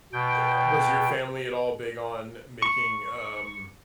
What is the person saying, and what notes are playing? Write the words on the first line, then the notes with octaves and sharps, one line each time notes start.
eh, was your family at all big on making, um,
B2 G5
C#6